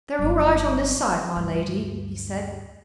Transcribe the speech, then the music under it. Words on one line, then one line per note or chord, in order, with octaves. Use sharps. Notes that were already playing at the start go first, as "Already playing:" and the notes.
"They're all right on this side, my lady," he said.
G1 F#3
D2 G2